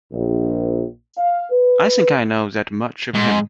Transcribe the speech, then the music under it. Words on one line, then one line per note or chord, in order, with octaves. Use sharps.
I think I know that much of him.
A#1
F5
B4
G#2